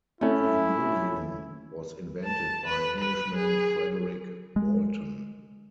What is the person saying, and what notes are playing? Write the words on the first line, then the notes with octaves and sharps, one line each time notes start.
Linoleum was invented by Englishman Frederick Walton.
A3 C#4 E4
A5
B4
B4
G#4
G#3